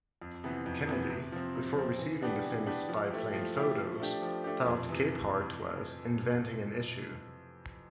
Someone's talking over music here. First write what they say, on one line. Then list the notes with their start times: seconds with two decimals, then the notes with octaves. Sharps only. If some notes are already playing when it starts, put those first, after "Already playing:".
Kennedy, before receiving the famous spy-plane photos, thought Capehart was "inventing an issue".
0.22 F2
0.44 C3 E3 B3
0.66 F2
0.88 C3 E3 B3
1.10 C3
1.32 F3 C4
1.55 C3
1.77 F3 C4
1.99 E3
2.22 B3 D4 G4
2.44 E3
2.66 B3 D4 G4
2.89 F3
3.10 A3 E4 G4
3.33 F3
3.55 A3 E4 G4
3.77 F3
4.00 A3 D4 G4
4.22 F3
4.44 A3 D4 G4
4.66 F2
4.89 C3 E3